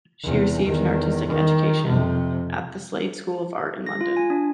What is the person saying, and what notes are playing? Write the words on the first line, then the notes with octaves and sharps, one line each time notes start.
She received an artistic education at the Slade School of Art in London.
E2 C3
E2 D#3
D#3
F2 C3
A#6
F4
G#5
D4